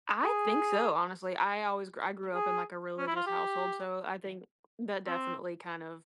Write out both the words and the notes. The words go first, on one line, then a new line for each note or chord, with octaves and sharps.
I think so, honestly. I always grew I grew up in a religious household, so I think that, definitely, kind of,
G#4
G#4
C#4
E4
F4
G4
C4